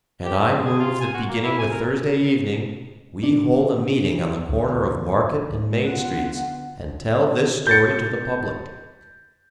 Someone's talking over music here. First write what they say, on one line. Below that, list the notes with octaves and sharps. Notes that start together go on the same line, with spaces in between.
And I move that beginning with Thursday evening, we hold a meeting on the corner of Market and Main streets, and tell this story to the public.
G4
A4
G#3
G#4
F4
G#5
F#4
A#3
E4
G#5
A#4
D4
D2
D3 B3 F4 F#5
G6 A6 C#7